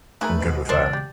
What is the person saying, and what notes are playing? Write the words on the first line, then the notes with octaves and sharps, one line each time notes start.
I'm good with that.
A3 D#4 G#4 A#4 B4
G#2 B2
E2 C#3 D4 A#4 C5
G4